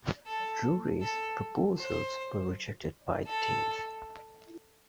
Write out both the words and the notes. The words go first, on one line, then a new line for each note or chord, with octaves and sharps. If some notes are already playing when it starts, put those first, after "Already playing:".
Drewry's proposals were rejected by the teams.
A4
A4
C5
A4